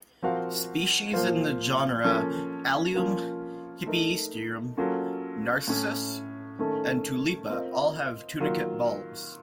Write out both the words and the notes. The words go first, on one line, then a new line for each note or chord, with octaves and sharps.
Species in the genera "Allium", "Hippeastrum", "Narcissus", and "Tulipa" all have tunicate bulbs.
F3 C4 F#4 A#4 F5
A#2 F3 A#3 F4 C5
F3 A#3 C#4 A4
F3 A#3 C#4 F4 A#4
A3 D#4 A#4
F#3 A#3 C#4 F4 A4
A2 A3 C#4
D#3 A3 C#4 A4
C4 F4 A#4 D#5
D#3 F#3 A#3 F4